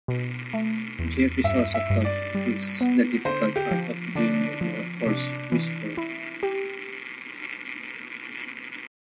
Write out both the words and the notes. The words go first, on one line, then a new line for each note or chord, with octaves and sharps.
Jefferys also taught Crewes the difficult art of being a horse whisperer.
B2
A3
E2
G2 E5
E5
G2
D5
G3
B3
D3 C5
G4
F3
D3 D4
F3
C3 D4
E3
E4
G4